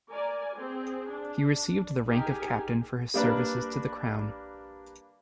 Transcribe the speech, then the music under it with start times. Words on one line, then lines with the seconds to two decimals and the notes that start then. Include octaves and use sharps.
He received the rank of captain for his services to the Crown.
0.10 A#4 D5 G#5
0.57 C4 G#4
1.10 D4
2.08 D#4 G4 G#4 A#4 G#5
3.14 G3 A#3 D4 B4